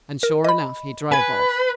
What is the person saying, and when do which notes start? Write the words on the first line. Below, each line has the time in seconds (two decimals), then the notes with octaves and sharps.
And sure enough, he drove off.
0.23 A#4
0.44 D#5 B5
1.12 B4 G#5 G#6